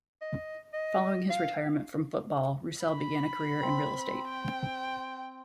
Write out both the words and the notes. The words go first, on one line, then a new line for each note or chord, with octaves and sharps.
Following his retirement from football, Roussel began a career in real estate.
D#5
D#5
F5
B5
C4
G5